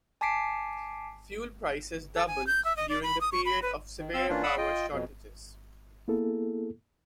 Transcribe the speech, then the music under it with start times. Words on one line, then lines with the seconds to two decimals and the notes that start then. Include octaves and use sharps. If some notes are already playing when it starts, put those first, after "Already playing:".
Fuel prices doubled during the period of severe power shortages.
0.21 G#5 A5 D6 B6 C7 D7
2.15 A4
2.27 G#5
2.47 G6
2.65 E5
2.77 D#5
2.89 D5
3.03 B5
3.21 D#6
3.32 C#6
3.45 B5
3.62 B4
3.99 D#3
4.14 C4 F5 E6
4.29 E3 A#3 C#4 D4 F4
4.43 D5 F5 F#5 B5 D#6 E6
4.58 F4 D#5 G5
4.92 F2 B2
6.08 A#3 B3 E4 G#4 A4